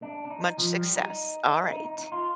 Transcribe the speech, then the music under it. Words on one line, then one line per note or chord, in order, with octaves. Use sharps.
Much success. All right.
D4
D4
D#4
F3
G3
D#4
D#4
D#4
D#4
F4